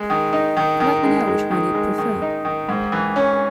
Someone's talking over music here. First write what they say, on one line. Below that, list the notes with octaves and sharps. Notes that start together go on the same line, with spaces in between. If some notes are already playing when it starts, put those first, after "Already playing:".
Let me know which one you'd prefer.
Already playing: G#3
D#3
D#4
D#3
D#3
G#3
G#3
D#3
G#3
D#3
D#4
D#3
G#2
E3
C#4